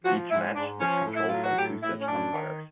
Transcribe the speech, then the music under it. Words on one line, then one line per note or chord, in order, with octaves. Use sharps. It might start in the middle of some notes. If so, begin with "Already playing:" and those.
Each match is controlled by two such umpires.
F3 F#4
G#2 E4
G#2 D4
F3 C#4
A2
E4
F#3 F4
F#4
A2 G4
A2 E4
C#4
F#2 D4
D#3